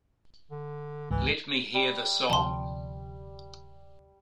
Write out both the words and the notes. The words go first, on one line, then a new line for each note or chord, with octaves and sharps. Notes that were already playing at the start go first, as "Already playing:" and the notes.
Let me hear the song.
D3
G1 C#2 G#2 E3
G3
D2 C3 F3 A5 C6